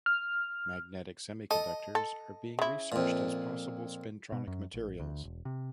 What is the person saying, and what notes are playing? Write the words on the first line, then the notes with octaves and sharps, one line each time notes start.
Magnetic semiconductors are being researched as possible spintronic materials.
F6
A4 D#5
A4
C#3 E4
F2 A#2
B2
F#2
A1
D2
E1
C3